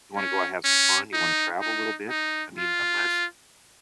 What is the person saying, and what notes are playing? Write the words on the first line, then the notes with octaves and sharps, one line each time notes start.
You wanna go and have some fun? You wanna travel a little bit? I mean, unless
C#4
C#4
D#4
D#4
D#4
F4